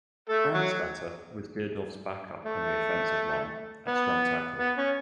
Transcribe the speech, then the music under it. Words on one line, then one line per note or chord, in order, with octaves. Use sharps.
Brandstatter was Dierdorf's backup on the offensive line, at strong tackle.
A3 A4
F#3 F#4
A3
B3
B3
C#4